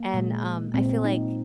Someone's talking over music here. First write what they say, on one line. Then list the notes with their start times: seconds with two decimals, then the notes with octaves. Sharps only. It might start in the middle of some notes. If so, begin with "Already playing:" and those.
And, um, I feel like
Already playing: A#3
0.14 A#2 G#3
0.74 A#2 G#3 C4
1.04 D#4